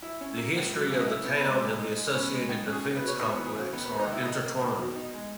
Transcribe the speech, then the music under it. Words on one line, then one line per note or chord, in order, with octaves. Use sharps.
The history of the town and the associated defense complex are intertwined.
E4 E5
C#4
A#3
C#2
F#3
C#3
D#5
E4 E5
B3
G#3
A#2
D#4
G#3
B3 C#4 C#5
G#3
D#3
C#4
G#4
A#3 A#4
B4
B2
C#5
B3 D#4 D#5
E3 B3 B4
G#4
C#3
F#4
D#2 B3 B4
B3 B4
A#3
D#4 D#5
D#3
E4 E5
D#4 D#5
A#3
D#3
B2
D#4
G#3